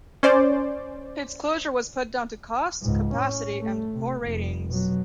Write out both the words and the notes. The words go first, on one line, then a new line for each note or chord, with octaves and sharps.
Its closure was put down to cost, capacity and poor ratings.
C#4 C5 D5
C#2 G#2
A2 C#4
A3
C3
F1
B2 F#3